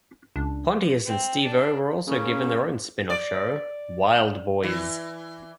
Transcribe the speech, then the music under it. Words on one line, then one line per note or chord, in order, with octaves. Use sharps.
Pontius and Steve-O were also given their own spin-off show "Wildboyz".
C#2 D4
C4
D4
C#3 A#3 C#4
D5
E3